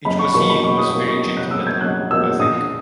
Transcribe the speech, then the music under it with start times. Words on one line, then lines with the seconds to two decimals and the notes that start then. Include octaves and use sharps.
It was he who was very gentlemanly, I think!
0.05 F#1 B5
0.19 C#6
0.34 E2 B2 A#3 C#6
0.50 B5
0.63 F#1 C#6
0.78 D#6
0.93 E2 B2 A#3 D#6
1.08 C#6
1.22 F#1 D#6
1.37 F#6
1.51 E2 B2 A#3 E6
1.67 G#6
1.81 F#1 F#6
2.11 E2 B2 A#3 E6
2.39 A#1 D#6